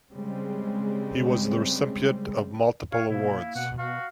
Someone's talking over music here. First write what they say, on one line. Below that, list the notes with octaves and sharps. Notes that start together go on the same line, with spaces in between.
He was the recipient of multiple awards.
C#3 G3 G#3 C4
C#5 F5
B2 A#3 E4
B2 F#5
F#4 F5